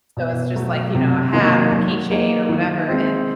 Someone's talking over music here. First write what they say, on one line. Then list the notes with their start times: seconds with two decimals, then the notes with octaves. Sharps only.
So, it's just like, you know, a hat or a keychain or whatever, and
0.17 B2
0.55 F#3 A3
0.95 C3
1.33 D#3 F#3 A#3 D#4
1.71 F#3
2.10 A#3 D#4 G#4
2.49 D#3
2.88 G#3 C4